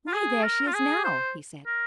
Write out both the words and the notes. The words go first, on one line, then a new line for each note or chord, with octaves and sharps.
"Why, there she is now!" he said.
F4
G#4
A#4
F4
G#4
C5
A#4